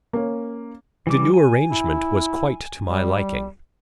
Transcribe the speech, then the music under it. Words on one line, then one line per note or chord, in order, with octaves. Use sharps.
The new arrangement was quite to my liking.
A#3 C#4
E3 G3 D6
G#5
E4
G3